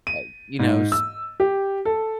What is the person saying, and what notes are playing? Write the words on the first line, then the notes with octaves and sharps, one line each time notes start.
uh, you know s
D#7
G#2
E6
G4
A4